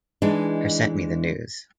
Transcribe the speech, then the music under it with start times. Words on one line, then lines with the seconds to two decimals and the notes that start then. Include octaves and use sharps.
Her sent me the news.
0.22 E3 G#3 D4 D#4